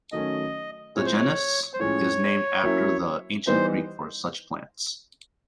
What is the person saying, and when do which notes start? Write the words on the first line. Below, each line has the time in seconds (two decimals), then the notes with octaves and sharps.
The genus is named after the Ancient Greek for such plants.
0.12 D#3 F#3 A3 C#4 D#5
0.95 A2 F3 G#3 C4 E4 C#5
1.06 C5
1.15 C#5
1.74 C5
1.80 A2 F3 G#3 C#4 C#5
2.63 F#3 A#3 C#4 E4
3.47 E3 G3 B3 D#4 C5